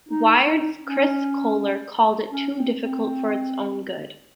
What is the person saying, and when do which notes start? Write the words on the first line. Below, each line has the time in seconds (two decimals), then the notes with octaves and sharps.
Wired's Chris Kohler called it too difficult for its own good.
0.09 D#4
0.45 D#4
0.82 C#4
2.30 C#4
2.54 C4
2.79 C4